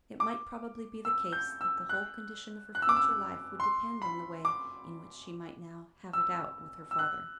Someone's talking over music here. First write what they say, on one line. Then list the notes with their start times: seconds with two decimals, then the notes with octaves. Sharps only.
It might probably be the case that the whole condition of her future life would depend on the way in which she might now "have it out" with her father.
0.20 D6
1.05 E6
1.33 G6
1.61 E6
1.89 F#6
2.75 F#6
2.82 E6
2.89 D6
2.96 E6
3.60 C6
4.02 B5
4.45 D6
6.13 E6
6.91 E6
6.99 F#6